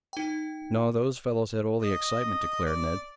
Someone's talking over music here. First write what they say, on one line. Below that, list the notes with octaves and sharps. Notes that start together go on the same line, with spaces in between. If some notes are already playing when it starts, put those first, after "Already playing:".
"No, those fellows had all the excitement," declared Ned.
D#4 G5
D#5
D5